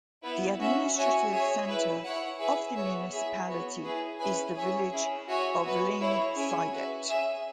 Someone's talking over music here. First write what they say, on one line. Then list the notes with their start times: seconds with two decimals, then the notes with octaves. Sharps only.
The administrative centre of the municipality is the village of Lyngseidet.
0.23 B3 E4 B4
0.59 C#4 F#4 E5
0.95 F#4 C#5 E5 G#5
1.31 G#4 C#5 E5 G#5
1.67 E4 B4 E5
2.03 E4 C#5 F#5
2.39 G#4 B4 E5 G#5
2.75 B3 F#4 C#5 E5
3.11 E4 G#4 E5
3.47 B3 F#4 C#5
3.83 E4 G#4 B4
4.19 C#4 E4 B4 G#5
4.55 G#4 C#5 E5
4.91 C#4 E4 G#4
5.27 F#4 C#5 E5 G#5
5.64 B3 F#4 B4
6.00 E4 G#4 C#5
6.35 C#4 G#4 E5 G#5
6.71 F#4 B4 E5
7.07 C#4 G#4 E5